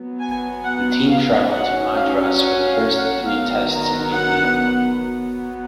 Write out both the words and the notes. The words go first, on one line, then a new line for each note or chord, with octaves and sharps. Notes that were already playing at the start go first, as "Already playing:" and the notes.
The team travelled to Madras for the first of three Tests in India.
Already playing: F#3 B3
G#5
F#5
F5
F#3 C#4 F#5
F5
F#5
F5
F#5
D#3 F#3 B3 F5
A#5
F#5
F#3 B3